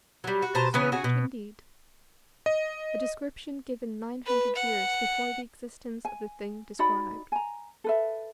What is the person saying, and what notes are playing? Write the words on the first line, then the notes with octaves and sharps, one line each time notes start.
Strange, indeed! a description given nine hundred years before the existence of the thing described.
F#3 G3
F#4
B2 C5 A5 A#5
C#3 E3 B3 C#4
C#3 F#4 G#4
B2
D#5
B4
F#5
G#5
D#4 F#4 D5 B5
G#5 A#5
A4 B4 E5